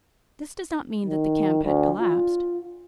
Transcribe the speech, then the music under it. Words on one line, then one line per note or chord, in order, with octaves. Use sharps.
This does not mean that the camp had collapsed.
D#3
D2
F4